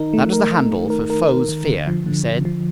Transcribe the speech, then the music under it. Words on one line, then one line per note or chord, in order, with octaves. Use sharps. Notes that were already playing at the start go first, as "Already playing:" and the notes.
"That is the handle for 'Foes'-fear,'" he said.
Already playing: D#3 D#4 A#4
A3
A#4
A3
A3
A#4
A#4
A#4
D#3
D3
F3
D3
F3
F3